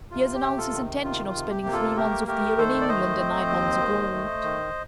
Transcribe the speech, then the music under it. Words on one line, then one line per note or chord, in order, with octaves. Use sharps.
He has announced his intention of spending three months of the year in England and nine months abroad.
C3 F4
G4
C3
F4 A4
D#3
C3 F4
F4
C3
G4
A#3
F4 A4
A3 G4 A#4
A3 G4 A#4
D#3 A4 C5
D5
A3 C5 D#5
C4
D#2
D#3
A3
D#3